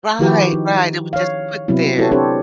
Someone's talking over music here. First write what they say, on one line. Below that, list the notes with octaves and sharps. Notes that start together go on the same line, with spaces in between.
Right, right, it was just put there.
D#3 F3 E4 F#4 G4 B4
D#4
C#5 F5
C3 F#3 B3 C4 E4
E4 F#4 G4 A4 B4 C#5
C4 D4 G4 A4 C5 C#5